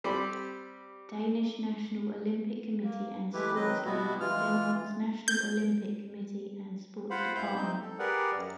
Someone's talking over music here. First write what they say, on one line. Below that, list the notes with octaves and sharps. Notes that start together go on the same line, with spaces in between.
Danish National Olympic Committee and Sports League is Denmark’s National Olympic Committee and sports department.
G3 C4 G4 B5
A#3
E3 G#3 A3 E4 G4 B4
D#3 F#3 C4 B4 D#5
B2 G3 G#3 B3 E4 F#4
E3 G#3 F4 F6
G6
F4 C5 F5 F#5 B5
G2 E4 C5 F5 B5 G6
C4 D#4 G6
A4
G4 G#4 A#4 B4 D5 F#5
F#2